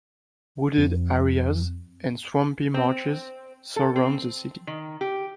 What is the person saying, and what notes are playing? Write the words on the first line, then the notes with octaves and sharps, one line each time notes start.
Wooded areas and swampy marshes surround the city.
F2
C4
A4
C4
D#3
G4